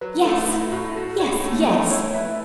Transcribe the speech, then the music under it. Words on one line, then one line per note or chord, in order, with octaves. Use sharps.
Yes, yes, yes!
F#3 B4
A3 A4
A2 E4
A2 F#4
F#4 A4
C#5
A3
A3
E4 C#5
B4 E5